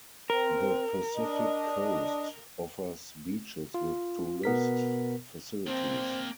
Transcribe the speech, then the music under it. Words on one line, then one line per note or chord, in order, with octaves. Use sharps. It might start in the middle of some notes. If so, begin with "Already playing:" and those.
The Pacific coast offers beaches with tourist facilities.
C4 A#4
D4 D#5
F4
B2 B3 A#4 B6
A#3 C4 D4 C5